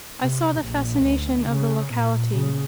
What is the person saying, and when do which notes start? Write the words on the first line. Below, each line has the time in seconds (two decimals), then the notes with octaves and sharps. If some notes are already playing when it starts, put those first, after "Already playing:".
I saw the fascination of the locality.
0.21 C3
0.62 A#1
1.01 D2
1.45 C#3
1.93 A#2
2.31 C#3